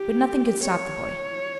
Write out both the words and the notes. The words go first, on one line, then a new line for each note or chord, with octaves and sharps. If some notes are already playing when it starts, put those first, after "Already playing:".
But nothing could stop the boy.
Already playing: G4
C#5